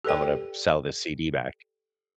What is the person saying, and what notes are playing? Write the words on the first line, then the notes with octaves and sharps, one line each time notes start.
"I'm gonna b sell this CD back."
G4 A4 B4 D5 G5